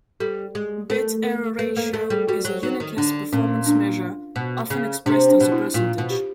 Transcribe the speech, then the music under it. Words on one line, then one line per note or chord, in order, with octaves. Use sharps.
Bit error ratio is a unitless performance measure, often expressed as a percentage.
G3 A4
G#3
A3 A#4
A#4
A3 B4
A#3 A#4
A3 A4
G3 G#4
G3 F#4
F#3
F#3 D#4
D#3
D3 D4
A#2 C#4
D4
B2
C#3
C3 D4
D4
B2
E4
A#2 F4
B2
G4